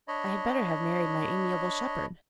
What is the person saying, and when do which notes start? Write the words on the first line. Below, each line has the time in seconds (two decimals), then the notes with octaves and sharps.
I had better have married my amiable shepherd.
0.08 D4 C#5 D#5 B5